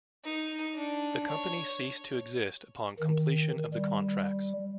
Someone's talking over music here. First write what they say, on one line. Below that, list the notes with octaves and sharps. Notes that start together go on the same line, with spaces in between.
The company ceased to exist upon completion of the contracts.
D#4
D4
C#5
D#3
G3